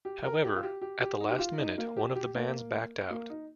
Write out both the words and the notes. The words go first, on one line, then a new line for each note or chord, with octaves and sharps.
However, at the last minute, one of the bands backed out.
G4
A#4
G4
F4
G4
G4
G4
D#4
G4
F4
D#4
A#3
G4
G4
A#3
A#3
D#4